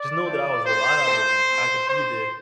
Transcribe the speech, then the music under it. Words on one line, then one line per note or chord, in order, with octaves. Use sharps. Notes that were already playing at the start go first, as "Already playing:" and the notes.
just knowing that I was reliable and I could be there,
Already playing: D5
A3 C4 F#4
C4 G4 C5
A3 C4 E4 G4
A3 C4 F#4
C4 G4 C5